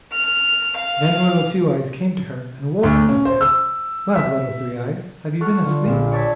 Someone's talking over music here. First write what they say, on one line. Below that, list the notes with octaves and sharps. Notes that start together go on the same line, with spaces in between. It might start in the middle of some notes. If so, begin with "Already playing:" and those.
Then Little Two-eyes came to her, and woke her and said, 'Well, Little Three-eyes, have you been asleep?
F6
F5
D2
C#4
C5
E6
E5
A4 F#5 C#6 F6
D3 F4
A#1 A#2
C#5 D5 A5 E6 G#6 B6